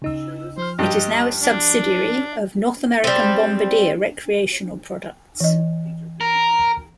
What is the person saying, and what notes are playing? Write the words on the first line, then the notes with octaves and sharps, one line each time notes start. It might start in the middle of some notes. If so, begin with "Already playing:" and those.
It is now a subsidiary of North American Bombardier Recreational Products.
C#3 D#4 E6
F3 C5 F6
G2 G4 D#5
D4
G3 C4
E3 D#5
A#4